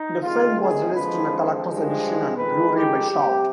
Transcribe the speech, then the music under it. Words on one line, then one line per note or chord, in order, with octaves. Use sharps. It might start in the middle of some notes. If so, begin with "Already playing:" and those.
The film was released in a Collector's Edition on Blu-ray by Shout!
Already playing: D#4
C3 D#3 G#3 F4
G#4
F2 D3 F3 G#3 B4
G2 F3 G#3
F2 D#3 G#3 B4
G4
C3 G3 G4